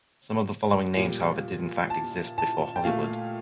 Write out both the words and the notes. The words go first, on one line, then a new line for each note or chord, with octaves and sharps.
Some of the following names, however, did in fact exist before Hollywood.
A#2 G3
A5
A5
G5
A#2 A3 F5